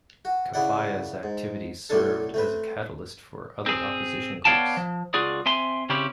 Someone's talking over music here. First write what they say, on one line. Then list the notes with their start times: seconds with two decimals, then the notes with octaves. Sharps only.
Kefaya's activities served as a catalyst for other opposition groups.
0.25 F#4
0.54 C#3 D4 E4 D5 F#5
1.23 G#2
1.90 B1 A2 C#4 D4 A4
2.34 A3 C4 B4
3.66 C4 G#4
4.45 B3 C#5 D5 F5 G5 A5
4.77 F3
5.14 C#2 F4 F#4 G#4 D5
5.46 C4 E5 G#5 C6
5.89 C#3 C4 C#4 E4 G4